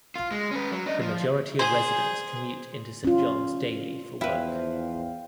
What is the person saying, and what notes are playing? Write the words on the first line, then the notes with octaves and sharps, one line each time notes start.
The majority of residents commute into Saint John's daily for work.
F4
G#3
C#4 B4
F#3
D4 D#5
F3
G#4 C5 G#5
C#4 F4
E2 F3 E4 B4 C5 F5 G5